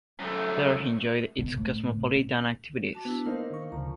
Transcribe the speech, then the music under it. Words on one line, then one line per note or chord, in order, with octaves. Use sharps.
There he enjoyed its cosmopolitan activities.
F#2 A3
B2
A2
C3
A#2
F#4 A5 D6
B3 D4 E4
A#3 D#4 A#4 C5 F5
D#3 C#6
D2 C#3 F3 A#5